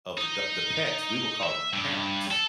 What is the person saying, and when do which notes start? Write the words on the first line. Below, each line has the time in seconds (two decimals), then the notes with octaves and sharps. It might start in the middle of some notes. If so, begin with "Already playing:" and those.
of the do the pets, we would call them parents.
0.18 D#4
1.43 E5
1.73 G2
2.31 A4